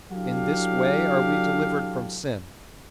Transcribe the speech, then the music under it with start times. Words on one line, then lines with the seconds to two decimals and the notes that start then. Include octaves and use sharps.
In this way are we delivered from sin.
0.12 F#3 D4 E4 G4 A4 F5